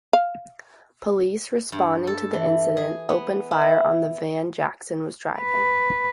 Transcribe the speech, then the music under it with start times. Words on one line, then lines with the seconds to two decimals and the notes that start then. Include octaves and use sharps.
Police responding to the incident opened fire on the van Jackson was driving.
0.13 F5
1.72 G2
2.07 A4
2.33 E3
2.77 G#4
3.09 B3
3.51 E4
5.40 B4